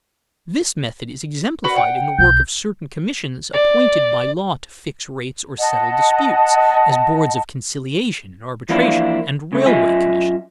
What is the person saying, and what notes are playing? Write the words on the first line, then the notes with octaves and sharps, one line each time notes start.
This method is exemplified in the work of certain commissions appointed by law to fix rates or settle disputes, as boards of conciliation and arbitration and railway commissions.
F#4 A#4 B4
F#5 G5
B1 G6
D5
D#5 F#5 A5
E3 F3 A#3 D4 E4 F4
C#3 A3
F#2 F4 D#5 E5 G#5